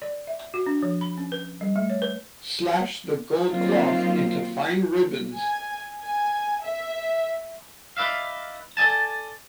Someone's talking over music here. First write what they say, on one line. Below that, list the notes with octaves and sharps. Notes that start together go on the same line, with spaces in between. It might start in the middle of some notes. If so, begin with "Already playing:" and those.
Slash the gold cloth into fine ribbons.
D5
E5
F#4
D4
F3
B5
C#4
B4
G3
A3
C#5
B4
D#3 F#3 A#3 C4 F4
G#5
G#5
E5
D#4 B4 D5 E5 F5
A4 D5 D#5 G#5 A5